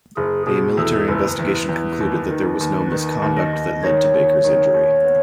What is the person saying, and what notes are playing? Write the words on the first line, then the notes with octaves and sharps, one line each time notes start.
A military investigation concluded that there was no misconduct that led to Baker's injury.
F#1 G#4
B2 G#4
E2 A4
F#1 B4
E2
E2
D#2
D#3
D#2
D#3 B4
D#2
D#5
D#2
D#3 C#5
D#2
D#3
D#2
B3